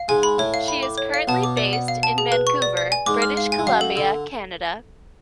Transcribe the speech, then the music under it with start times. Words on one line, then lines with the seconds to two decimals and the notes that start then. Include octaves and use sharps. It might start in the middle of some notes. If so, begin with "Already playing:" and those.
She is currently based in Vancouver, British Columbia, Canada.
Already playing: F5
0.08 G#2 G#3 G#5
0.23 B5
0.38 A2 A3 C#5
0.54 F5
0.68 B5
0.83 D6
0.98 C#5
1.14 F5
1.27 B2 B3 A5
1.43 D6
1.57 D5
1.73 F#5
1.88 F5
2.03 A5
2.18 G#4
2.32 B4
2.47 C#6
2.62 D5
2.77 D5
2.92 G#5
3.06 G#2 G#3 D6
3.22 F6
3.37 F5
3.52 G#5
3.58 G#3
3.66 F#2 F#3 F5
3.81 A4
3.96 D3 A4